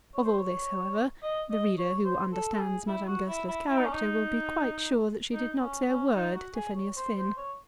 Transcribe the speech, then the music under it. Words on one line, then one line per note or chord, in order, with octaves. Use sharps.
Of all this, however, the reader who understands Madame Goesler's character will be quite sure that she did not say a word to Phineas Finn.
C#5
C5
C#5
D#5
D#5
C#5
C5
A4
A4
G#4
E4
F#4
E4
E4
E4
D#4
C#4
D#4
D#4
C#4
C#4
D#4
F#4
G#4
C#5
C5
C5
C#5